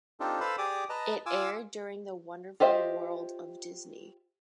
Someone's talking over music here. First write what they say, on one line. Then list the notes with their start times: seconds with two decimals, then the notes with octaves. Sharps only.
It aired during The Wonderful World of Disney.
0.20 C4 D4 D#4 F4 G4 A4
0.41 A4 B4 C5 F5 B5 E6
0.58 G4 G#4 D5 D6 D#6
0.90 B4 D#5 A5 A#5
1.26 F4 G#5 D6 E6
2.60 F4 G4 C5 D#5 E5